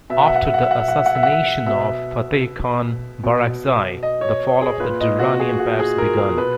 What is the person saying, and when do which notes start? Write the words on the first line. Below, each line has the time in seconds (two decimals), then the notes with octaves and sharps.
After the assassination of Fateh Khan Barakzai the fall of the Durrani Empires begun.
0.10 B2 E5
0.19 F#5
0.27 E5
0.36 F#5
0.44 E5
0.54 F#5
0.63 E5
0.71 F#5
0.80 E5
0.88 F#5
0.97 E5
1.06 F#5
1.15 E5
1.23 F#5
1.32 E5
1.66 B2 E5
3.24 B2
4.03 D#5
4.21 C#5
4.62 G#4
4.80 A#2 B4
5.01 D#5
5.19 F#4
5.40 G#4
5.59 F#4
5.79 G#4
5.98 A#4
6.18 G#4
6.37 B2 B4